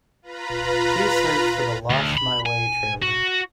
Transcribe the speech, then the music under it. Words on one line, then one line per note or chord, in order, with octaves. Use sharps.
Please search for the Lost My Way trailer.
F4 B4 A#5 B5
D2
B5
G#5
F#4